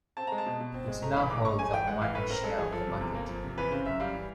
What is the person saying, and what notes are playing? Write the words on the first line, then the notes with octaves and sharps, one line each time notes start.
It now holds a commanding share of the market.
C4 A5
G#3 A#5
A5
B2
B2
C4
G#3
A3 A#5
E3 B5
G#2 D6
G#2 C#6
A3 G#5
E3 G5
G#3 F#5
E3 F5
A2 B4
C4 A#4
G#3 A4
E3 G#4
F3 A4
C3
E2
A#3
F3
C3
E3 B4
C#3 C5
F#2 E5
G3 F5
E3